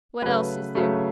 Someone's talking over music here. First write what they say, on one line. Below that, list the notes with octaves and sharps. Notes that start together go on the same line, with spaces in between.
"What else is there?"
C#3 F#3 A3 B4
C#3 F#3 A3